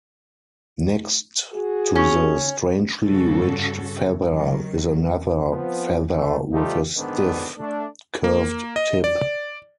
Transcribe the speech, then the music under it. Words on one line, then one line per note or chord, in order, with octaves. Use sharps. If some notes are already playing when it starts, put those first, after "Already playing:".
Next to the strangely ridged feather is another feather with a stiff, curved tip.
F#4 G#4
C#4
G2 C#3 C#4 F#4 A4
D#3 F#3
F3 B3 C4
A3
F3 G3 A3 D#4 F4 G4
A#1 G#2 D3 D#3 B3 D4
A3 D4
A#3
D#5
D5